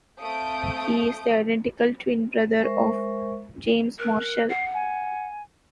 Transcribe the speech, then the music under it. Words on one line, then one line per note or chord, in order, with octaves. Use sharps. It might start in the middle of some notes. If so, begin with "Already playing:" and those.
He is the identical twin brother of James Marshall.
A3 C4 F5 D#6 G6 D7
G#3 A#4 C5 E5 C#6
A#4 F#6
F#5 C7
G#5